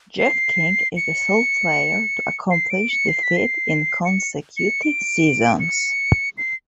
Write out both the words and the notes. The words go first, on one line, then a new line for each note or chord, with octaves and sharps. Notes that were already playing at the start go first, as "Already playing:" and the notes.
Jeff King is the sole player to accomplish the feat in consecutive seasons.
C7
C#7
C7
D7
C#7
C7
B6
C7
C#7
C#7
D7
C#7
C7